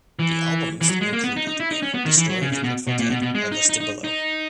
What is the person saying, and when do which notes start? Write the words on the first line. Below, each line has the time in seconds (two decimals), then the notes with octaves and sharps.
The albums included in "The Story of the Grateful Dead" are listed below.
0.19 E3
0.81 E3
0.89 F#3
1.01 G#3
1.13 A#3
1.24 B3
1.36 D#4
1.47 D#4
1.60 E4
1.71 D#4
1.82 C#4
1.94 B3
2.05 D#3
2.17 E3
2.29 F#3
2.41 C#3
2.52 C#3
2.64 B2
2.87 B2
2.99 A#2
3.10 B2
3.22 B2
3.35 G#3
3.52 D#4
3.69 D#4
3.80 D#4
4.04 D#4